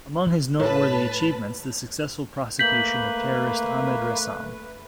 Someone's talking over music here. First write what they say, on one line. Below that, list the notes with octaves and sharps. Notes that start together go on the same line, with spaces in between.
Among his noteworthy achievements the successful prosecution of terrorist Ahmed Ressam.
A2 B4 A5
A3 A#3 B4 G6 B6 F#7